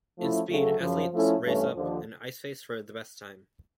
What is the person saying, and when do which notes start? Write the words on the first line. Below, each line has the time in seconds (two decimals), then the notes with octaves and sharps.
In Speed, athletes race up an ice face for the best time.
0.18 F3 A3 C#4 E4
0.49 D2 C#3 F#3 A3
0.80 F#2 C#3 F3
1.11 F3 A3 C#4 E4 A4
1.42 G2 E3 A3 C#4
1.73 D#2 D3 F3